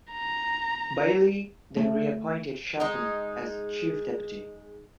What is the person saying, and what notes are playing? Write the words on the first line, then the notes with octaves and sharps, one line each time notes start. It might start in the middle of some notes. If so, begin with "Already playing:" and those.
Bailey then reappointed Chapman as chief deputy.
A#5
A3
G#3 D#4